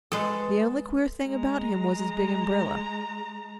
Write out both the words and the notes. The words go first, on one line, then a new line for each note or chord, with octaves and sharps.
The only queer thing about him was his big umbrella.
G#3 A4 B4 C5 A5
G#3 A#5